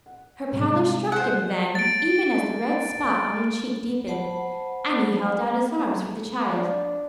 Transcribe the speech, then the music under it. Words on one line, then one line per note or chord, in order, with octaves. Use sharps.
Her pallor struck him then, even as the red spot on her cheek deepened, and he held out his arms for the child.
F#5
C3 G3 G#3
C5 F#5
A6 D7
C5 F#5 A5 B5
D4